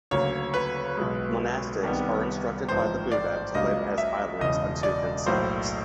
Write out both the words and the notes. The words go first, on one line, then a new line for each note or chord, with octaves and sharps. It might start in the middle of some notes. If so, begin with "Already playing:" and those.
Monastics are instructed by the Buddha to live as "islands unto themselves".
D2 C#3 F#3 A#3 C#5
B4
B1 B2 G#3
C2 C3 D#3 G3 B3
A1 G#2 F3 C5
D5
C#2 C#3 F#3 A#3 D#5
E5
E1 E2 C#3 D#5
D5
B1 A2 F#3 A#3 C5